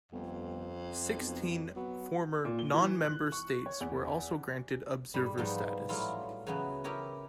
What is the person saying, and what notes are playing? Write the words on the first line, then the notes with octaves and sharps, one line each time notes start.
Sixteen former non-member states were also granted observer status.
G1 F2
B1
F#3 B3
A#2
G7
E3
F#6
C#6
C#5
E2
G#2 G3 B5
G#2 F3 G3 B3 D#4
A2 F#3 G3 E4 F4
C#3 E3 F#3 B3 C#4
E4 G4 A#4 C#5 D#5